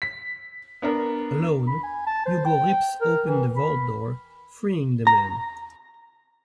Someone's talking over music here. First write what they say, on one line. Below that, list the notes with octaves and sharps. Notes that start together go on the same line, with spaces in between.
Alone, Hugo rips open the vault door, freeing the man.
B6
B3 D4 A#4
B5
G#5
A5
C5
G5
A#4
E3
B5
A#5